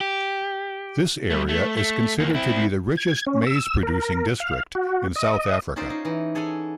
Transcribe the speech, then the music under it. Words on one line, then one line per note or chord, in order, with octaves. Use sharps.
This area is considered to be the richest maize-producing district in South Africa.
G4
G3 A3
A3
A3
E2 A#3
C4 E4
G#6
C#4
E6
A#4
F5
F#4
D#5
C#4 D#4 F4 G#4 C5 D5
D#4
E3 D#4
G#4 A4 C#5 F#5 G#5